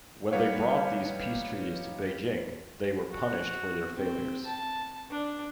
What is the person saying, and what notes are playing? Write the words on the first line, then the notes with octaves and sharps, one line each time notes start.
When they brought these peace treaties to Beijing they were punished for their failures.
G3 D#4 B4 C#5 F5 F#5
F#4
C4
A5
D4